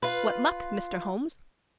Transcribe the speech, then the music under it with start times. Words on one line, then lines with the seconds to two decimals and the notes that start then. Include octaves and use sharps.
"What luck, Mr. Holmes?"
0.02 F4 B4